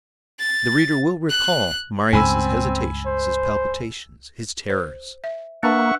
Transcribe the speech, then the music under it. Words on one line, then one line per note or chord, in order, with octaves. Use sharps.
The reader will recall Marius' hesitations, his palpitations, his terrors.
A6
F#6
C#2 G2 C4 G#5 B5 E6
C5
C5
E5
A#3 D4 B4 E5 F#5 A5 C#6